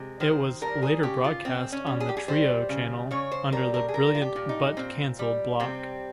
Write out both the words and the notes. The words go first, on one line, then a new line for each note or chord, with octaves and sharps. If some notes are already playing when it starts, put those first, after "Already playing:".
It was later broadcast on the Trio channel, under the "Brilliant But Cancelled" block.
Already playing: C3 G#3
D#3 C5
G3 A#4
G#4
C#3 G4
F4
C#3 C4
C#4
G3
G#4
G4
G#4
G3 C5
C#3
C#3 C#5
C5
G3 A#4
A#4
G#4
G3 A#4
F4
G4
A#2
D#4
A#2 C4
G3
C3 C4